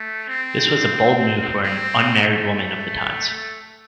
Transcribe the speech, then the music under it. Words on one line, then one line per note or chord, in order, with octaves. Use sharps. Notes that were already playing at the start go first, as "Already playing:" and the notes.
This was a bold move for an unmarried woman of the times.
Already playing: A3
C4
C4
A3
A3